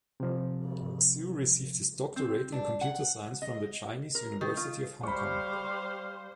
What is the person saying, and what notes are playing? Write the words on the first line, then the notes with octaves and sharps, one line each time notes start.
Xu received his doctorate in computer science from the Chinese University of Hong Kong.
C3 F3
C4
D4
F#5
D#5
A#4
D#3
F4
G3 C5 F5 B5 C#6